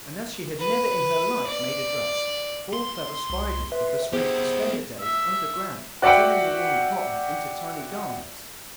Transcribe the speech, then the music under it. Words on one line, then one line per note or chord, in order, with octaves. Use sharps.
And as she had never in her life made a dress, four clever spiders were persuaded to spend the days underground, turning the wool and cotton into tiny garments.
B4
D5
C6
C2
B4 E5
B3 E4 G4 G#4 C5
E5
F#4 D5 E5 F#5 G5